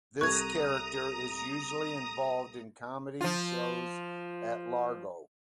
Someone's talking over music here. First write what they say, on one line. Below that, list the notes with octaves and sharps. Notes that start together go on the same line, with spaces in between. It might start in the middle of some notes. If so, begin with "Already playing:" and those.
This character is usually involved in comedy shows at Largo.
C2 A4 A#5 C#6 D#6 F#6 G#6
F3 F4